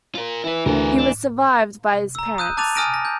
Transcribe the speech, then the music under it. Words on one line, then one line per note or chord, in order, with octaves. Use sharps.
He was survived by his parents.
F4 A#4
E3 E4 B4
D2 B3 A#4
D4
A#5 E6
D#6 F#6 G6 D#7
A5 D6 F#6 A6 D#7 F7
G#5 D#6 F6 A#6 D7 D#7
A#6
G6